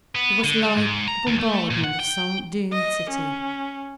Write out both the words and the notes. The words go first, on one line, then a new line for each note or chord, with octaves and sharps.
It was like the bombardment of some doomed city.
B3
D3
G3
G#2
A#5
D#2
A3
A#2
F#5
G5
D#5
C#4